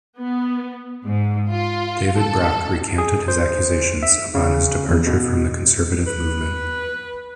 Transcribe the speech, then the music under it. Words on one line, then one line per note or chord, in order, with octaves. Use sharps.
David Brock recanted his accusations upon his departure from the conservative movement.
B3
G#2
F4
A4
G#4
C5
E5
C#3
E2
B2
B4